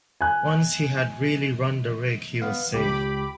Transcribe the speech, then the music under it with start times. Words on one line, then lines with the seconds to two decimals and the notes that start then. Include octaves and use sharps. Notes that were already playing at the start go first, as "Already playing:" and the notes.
Once he had really run the rig he was safe.
0.21 G#5 F#6
2.42 B3 F5
2.74 C#2 G4 B5 D6